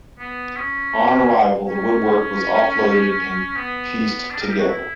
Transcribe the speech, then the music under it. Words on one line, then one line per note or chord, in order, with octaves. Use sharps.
On arrival, the woodwork was offloaded and pieced together.
B3
C#4
C#4
B3
D4
A#4
G4
F#4
E4